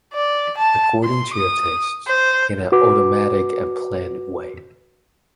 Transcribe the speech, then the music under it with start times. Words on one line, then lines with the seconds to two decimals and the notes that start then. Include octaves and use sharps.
According to your tastes, in an automatic and planned way.
0.14 D5
0.57 A5
1.04 C6
1.34 D#6
2.08 C5
2.72 F#4 B4 D6